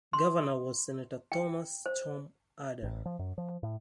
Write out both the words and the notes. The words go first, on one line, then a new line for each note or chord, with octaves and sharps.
Governor was Senator Thomas "Tom" Ada.
C6
G5
C5
A1
F3
F#2
F3
A2